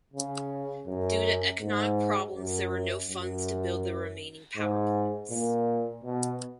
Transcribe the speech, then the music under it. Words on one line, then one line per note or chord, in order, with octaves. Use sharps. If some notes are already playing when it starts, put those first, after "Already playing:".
Due to economic problems there were no funds to build the remaining power plants.
C#3
F#2
G#2
F#2
F#2
G#2
A#2
B2